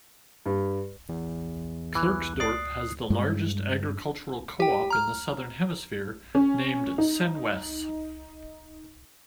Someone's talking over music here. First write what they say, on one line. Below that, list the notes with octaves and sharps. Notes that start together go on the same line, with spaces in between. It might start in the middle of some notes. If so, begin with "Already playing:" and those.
Klerksdorp has the largest agricultural co-op in the southern hemisphere, named 'Senwes'.
G2
E2
E3 F#6
D5 D#6 C7
G2 G#3
G4 G5
A#5 F6
C#4
D#4